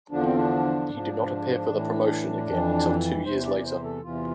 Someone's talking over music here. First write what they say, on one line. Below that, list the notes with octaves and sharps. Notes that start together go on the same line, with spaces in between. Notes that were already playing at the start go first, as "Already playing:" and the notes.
He did not appear for the promotion again until two years later.
E2 D3 F3 D4
C4
D4
G#2 F3
A2 E3
F2 E3
E2 C3 E3 C5
D5
C5
A4
E2 C3 E3 F4